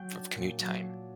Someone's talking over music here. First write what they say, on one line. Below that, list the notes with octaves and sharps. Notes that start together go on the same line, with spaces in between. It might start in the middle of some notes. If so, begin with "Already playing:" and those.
f of commute time,
Already playing: F#3 G5
D4
A#2
F#3
D4